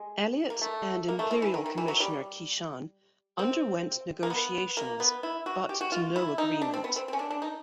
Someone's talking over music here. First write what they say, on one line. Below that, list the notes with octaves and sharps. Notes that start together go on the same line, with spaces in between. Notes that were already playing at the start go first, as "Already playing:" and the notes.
Elliot and Imperial Commissioner Qishan underwent negotiations but to no agreement.
Already playing: G#3
A#3
A3
A#3
A3
F3
E3
D#3
D#3
E3
F#3
G3
C4
A#3
B3
A#3
B3
E4
F#4
G4
F#4
F4
E4
D#4
D4
C4
B3
C4
C4
C#4
D4
D4
D#4